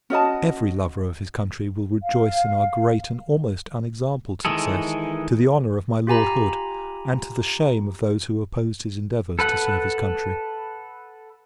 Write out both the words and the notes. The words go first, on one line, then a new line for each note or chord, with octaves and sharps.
Every lover of his country will rejoice in our great and almost unexampled success, to the honour of my Lord Hood, and to the shame of those who opposed his endeavours to serve his country.
C#4 F#4 D#5 A5
F5
D#3 E3 G#3 G#4 A4
F4 G4 G#5 A#5 B5
A4 B4 F#5